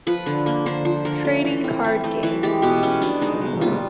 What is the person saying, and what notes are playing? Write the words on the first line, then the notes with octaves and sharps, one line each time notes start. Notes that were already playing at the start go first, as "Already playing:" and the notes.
Trading Card Game.
F3 B4
D3
A#3
D3 C5
F3 C5
D3 A#4
A3 A4
E3
C4
E3
A3
E3
G#3 G4
B2 G4
B3 C#4
B2 D4
G#3 D#4
B2
G3 F4